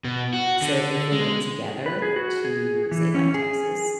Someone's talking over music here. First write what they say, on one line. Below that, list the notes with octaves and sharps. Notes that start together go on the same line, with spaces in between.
So, if we went together to say like Texas,
B2
F#4
D3
G#3
B4
G#4
F#4
G#4
E3
C#4
G#4